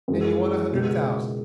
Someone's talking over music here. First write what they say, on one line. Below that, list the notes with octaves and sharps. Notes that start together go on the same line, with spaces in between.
And you want a hundred thousand.
F#2 E3 G#3
C#2 B2 G#3